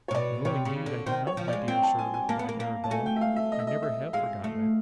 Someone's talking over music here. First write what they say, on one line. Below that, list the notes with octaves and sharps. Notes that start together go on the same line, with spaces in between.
'No, indeed I do not, my dear Sir,' replied Arabella. 'I never have forgotten it.
C3 C#5
B2 D5
C3 C#5
C#3
D3
D#3 C5
C#5
F3
D5
G#3
C4 G5
A5
G#5
G#5
A#3 A5
B3
A#3
A#3
A5
A3 G#5
G5
E5
F5
E5
D#5
E5
D#5
E5
G#3 F5
A3